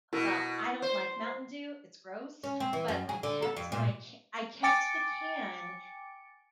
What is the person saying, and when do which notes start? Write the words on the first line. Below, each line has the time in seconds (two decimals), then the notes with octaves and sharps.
Well, I don't like Mountain Dew, it's gross, but I kept my c I kept the can,
0.13 B2 E4 A#4
0.82 C5
2.44 C#4
2.60 C4
2.73 E3
2.88 F#2
3.09 G#4
3.23 D3
3.42 A4
3.57 F2
3.72 A#2
4.63 G5 G#5 D6 A6 C#7 D7